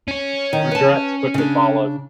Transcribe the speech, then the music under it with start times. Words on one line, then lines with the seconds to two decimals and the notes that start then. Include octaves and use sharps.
Regrets quickly followed.
0.08 C#4 C#5
0.53 D#3
0.71 B4 A5
1.34 C#3 D4